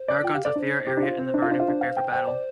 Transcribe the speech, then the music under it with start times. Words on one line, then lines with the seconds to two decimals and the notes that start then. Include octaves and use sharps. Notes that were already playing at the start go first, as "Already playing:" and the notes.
Eragon, Saphira, Arya, and the Varden prepare for battle.
Already playing: C5
0.08 D5
0.22 F4 G5
0.34 G4 F5
0.44 A4 D5
0.56 D4 C5
0.87 G4
0.97 D4
1.03 F4
1.18 C4
1.34 D4
1.42 F4 A4
1.50 D4 C5
1.60 F4
1.68 D4
1.81 F5
1.97 G5
2.12 C5 G5
2.27 D5